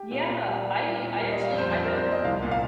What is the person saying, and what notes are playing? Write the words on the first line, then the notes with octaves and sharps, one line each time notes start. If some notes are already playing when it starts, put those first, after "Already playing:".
Yeah, I I actually I have,
Already playing: G4
A#2
A#2
G3
G3
A#3
A#2
G3 A#4
G3 D#5
F5
F2
C5
F2 C5
A#4
G3
C5
G3
D#5
C2 F5
A#2
F5